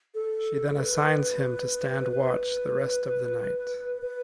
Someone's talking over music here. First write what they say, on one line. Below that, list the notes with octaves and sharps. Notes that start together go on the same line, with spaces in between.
She then assigns him to stand watch the rest of the night.
A4
B4
B4
B4